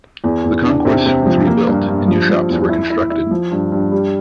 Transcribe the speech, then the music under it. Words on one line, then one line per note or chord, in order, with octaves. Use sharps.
The concourse was rebuilt and new shops were constructed.
E2
E2
D4
C3
C3
F3
A#3
G2
G2
F3
F3
E2
E4
E4
E4
F3
G2
G2
G3